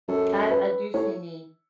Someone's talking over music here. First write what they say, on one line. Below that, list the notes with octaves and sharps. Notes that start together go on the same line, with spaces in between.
I I do see me,
F#2 A4
B4
A2 C#5